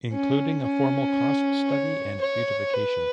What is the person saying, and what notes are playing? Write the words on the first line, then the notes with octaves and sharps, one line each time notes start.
Including a formal cost study and beautification.
C#4
C#4
C#5
C#5
B4